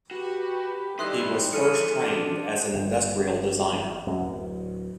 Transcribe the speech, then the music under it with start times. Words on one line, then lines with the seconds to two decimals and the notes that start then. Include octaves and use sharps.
He was first trained as an industrial designer.
0.11 F#4 G4 B4
0.99 E3 G3 D#4 B4 E5 C6 D#6 F#6
1.53 E2 E3 G#4 A4 F6 C#7 D#7
1.95 D4
2.74 G1
4.07 F#2
4.20 D1